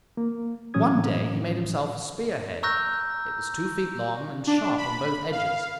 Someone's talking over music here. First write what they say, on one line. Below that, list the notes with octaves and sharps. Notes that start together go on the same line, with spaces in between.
One day he made himself a spear-head. It was two feet long and sharp on both edges.
A#3
A2 E3 F#3 C#4 D#6 G#6
A#5 C#6 E6 F#6 G6 A#6
D4
B5
F5